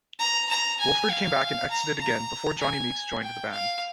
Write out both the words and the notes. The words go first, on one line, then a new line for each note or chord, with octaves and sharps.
Williford came back and exited again before Johnny Meeks joined the band.
A#5
A#5
G#5
F5
A#5
A#5
G#5
G5
F5